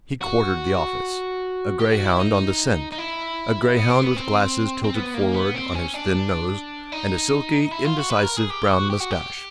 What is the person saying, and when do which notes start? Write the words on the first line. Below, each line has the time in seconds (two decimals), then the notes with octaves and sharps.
He quartered the office, a grayhound on the scent; a grayhound with glasses tilted forward on his thin nose, and a silky indecisive brown mustache.
0.21 F#4
1.79 G4
1.92 F#4
2.05 E4
2.19 D#4
2.92 D#4
2.98 E4
3.76 B3
3.89 C4
4.03 B3
4.16 C4
4.84 C4
4.95 B3
5.14 A#3
5.34 B3
5.54 C4
5.75 C#4
5.94 D4
6.92 D#4
7.71 E4
7.85 F4
7.98 F#4
8.10 B4
8.23 A#4
8.37 G#4
8.50 G4
8.70 F#4
8.90 G4
9.00 F#4
9.11 G4